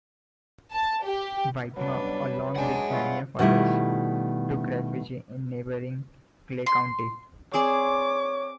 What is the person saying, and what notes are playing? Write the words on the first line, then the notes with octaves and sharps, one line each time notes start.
Whitmer, along with many of the others, took refugee in neighboring Clay County.
A5
G4
F#2 B2 G3 D4 B4
G#3 D4 F#5 G#5
G2 E4 F4 B4 C#6
B2 D#3 G3 A3 E4 F4
C6
C4 G#4 C#5 D5 D6